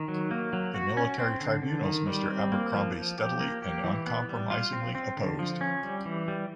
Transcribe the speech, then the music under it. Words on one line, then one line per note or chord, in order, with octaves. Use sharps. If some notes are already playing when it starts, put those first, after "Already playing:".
The military tribunals Mr. Abercromby steadily and uncompromisingly opposed.
Already playing: D#3
F#3
A#3
F#3
F#4
C#4
C4
D3
D3
D#3
G3
C4
A#3
F3
F3
G4
A#3
G4
E3
B3
G3
F4
C4
C4
D3
F3
C#4
G3
E3
G3